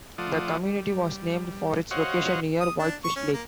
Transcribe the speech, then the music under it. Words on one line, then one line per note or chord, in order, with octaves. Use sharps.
The community was named for its location near Whitefish Lake.
F3 A3 F4 D5 F#5 D#6
G3
F#4 C5 C#5 D#5 F5 F#5
D#6
D4
C#6
C#4
A#3